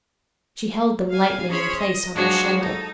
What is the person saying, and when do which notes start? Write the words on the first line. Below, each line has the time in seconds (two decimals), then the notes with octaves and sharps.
She held them lightly in place on her shoulder.
1.10 F5 G#5
1.49 C#4 G#4 C5 C#5 B5 C6
1.79 D#5
2.13 F3 F#3 G#3 D4 F#4 C#5
2.60 D#4 A4